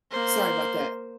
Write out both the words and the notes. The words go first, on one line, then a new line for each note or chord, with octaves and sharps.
sorry about that.
A#3 C5